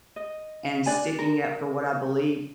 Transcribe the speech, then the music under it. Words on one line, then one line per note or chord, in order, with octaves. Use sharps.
and sticking up for what I believe
D#5
D4 D5 G#5
A#4